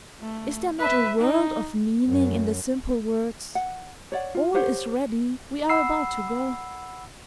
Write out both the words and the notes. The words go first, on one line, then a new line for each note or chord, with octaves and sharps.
Is there not a world of meaning in the simple words: "All is ready, we are about to go"?
A3
B4 E5
D#4
F#2
F#5
C#5 D5 F#5
F4
G4 C5 C#5 F#5
F#5 B5 E6 C7